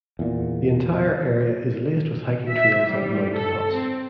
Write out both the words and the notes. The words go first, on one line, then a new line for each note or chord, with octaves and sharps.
The entire area is laced with hiking trails and mountain huts.
E2 A#2
E5
G3
A4
C4